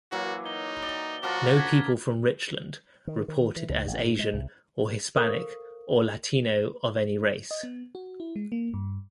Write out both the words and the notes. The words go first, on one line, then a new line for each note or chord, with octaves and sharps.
No people from Richland reported as Asian or Hispanic or Latino of any race.
E3 F#3 A#3 F#4
D#4 G7
D5 G7
F3 F#4 A#4 C#6 D6 A6
F#5 G#6 B6
D#3
D#3
E3
C#2
A1
G#2
G#3
C2
A4 A#4 C5 F5 C#6 D#6
D#5
B3
F#4
E4
G#3
A#3
G2